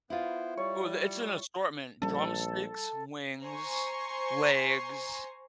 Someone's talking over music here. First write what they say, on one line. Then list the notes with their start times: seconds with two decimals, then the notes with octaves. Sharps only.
Well, it's an assortment, drumsticks, wings, legs,
0.10 B3 E4 F4 C5
0.57 G3 C#5
2.02 A#1 G3 C#4 A4
3.43 C5 G#5 A#5 C6 C#6